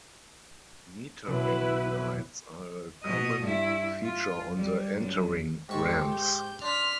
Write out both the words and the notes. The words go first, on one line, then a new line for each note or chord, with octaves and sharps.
Metering lights are a common feature on the entering ramps.
B1 E4 B4
B2 D#5
G2 E4
F4
G3
F#2
G#2 G4 A4 C5 C#6
G6
D4 C6 F6 B6